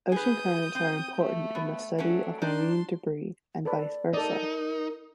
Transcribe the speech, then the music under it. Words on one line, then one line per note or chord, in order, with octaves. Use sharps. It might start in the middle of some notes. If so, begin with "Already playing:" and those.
Ocean currents are important in the study of marine debris, and vice versa.
G#4 B4 D#6 G6
C4
A3
B3
F#3 A3 C#4 D4
D4 D#4 D5 A5 C6
A4 B4 D5
D#4 A4 A#4 D5